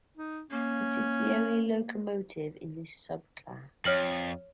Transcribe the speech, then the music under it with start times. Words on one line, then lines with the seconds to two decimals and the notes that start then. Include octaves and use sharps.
It is the only locomotive in this sub-class.
0.17 D#4
0.51 A#3 C#4
3.85 F2 C#5 F6 F#7